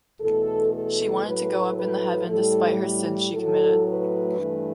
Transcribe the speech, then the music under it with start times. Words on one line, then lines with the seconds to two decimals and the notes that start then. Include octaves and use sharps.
She wanted to go up in the heaven despite her sins she committed.
0.20 E2 B2 A3 A4
0.73 A4
1.24 A2 F#3 A3 B4
1.77 B4
2.28 A2 G3 A4
3.33 A2 F#3 A3 A4
3.86 B4
4.37 G2 E3 A3